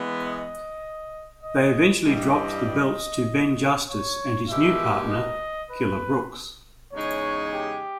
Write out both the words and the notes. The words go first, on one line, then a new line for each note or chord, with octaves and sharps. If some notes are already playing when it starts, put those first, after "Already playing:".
They eventually dropped the belts to Ben Justice and his new partner, Killer Brooks.
Already playing: E3 G#3 B3
D#5
D#5
G2 E3 G3 D#5
C#5
B2 G#3 D#4 G4 A#4 E5
D#5
B4
E2 C#3 G#3 D#4 G#4 C#5
G4